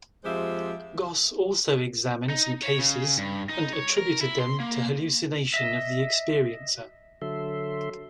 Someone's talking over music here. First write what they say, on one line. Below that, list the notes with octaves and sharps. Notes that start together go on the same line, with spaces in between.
Goss also examined some cases and attributed them to hallucination of the experiencer.
F2 F3 G#3 G4 C5 E5
D#4
C#5
C#3
G2
D#4
C#5
A#4
E4
C6
A#3
D#5 E5
D3 F#3 A4 E5 C6